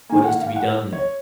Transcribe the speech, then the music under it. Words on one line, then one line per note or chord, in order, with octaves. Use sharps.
What is to be done then?
D#3 A#3 G#5
F#5
F5
F#5
C#5